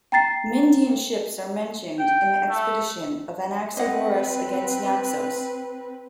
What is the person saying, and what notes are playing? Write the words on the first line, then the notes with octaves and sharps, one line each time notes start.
Myndian ships are mentioned in the expedition of Anaxagoras against Naxos.
G5 A#5 A6 C7
G5
A3
C4 B4 D#5 F#5